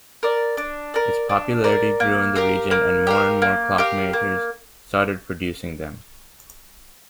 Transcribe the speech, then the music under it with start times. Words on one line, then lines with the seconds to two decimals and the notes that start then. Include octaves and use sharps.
Its popularity grew in the region and more and more clockmakers started producing them.
0.23 A#4 D5
0.57 D4
0.94 A#4 D5
1.29 D4
1.64 A#4 D5
2.00 A#3
2.36 G4 A#4 F5
2.71 A#3
3.07 G4 A#4 F5
3.42 A#3
3.78 G4 A#4 F5
4.13 A#3